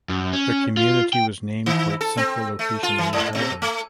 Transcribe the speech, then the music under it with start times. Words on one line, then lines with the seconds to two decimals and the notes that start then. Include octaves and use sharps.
The community was named for its central location on the harbor.
0.09 F#2
0.33 C#4
0.77 F4
1.13 G5
1.66 D#3
2.01 A4
2.17 C4
2.59 A3
2.83 F4
2.98 E3
3.13 G#2
3.35 B2
3.62 A3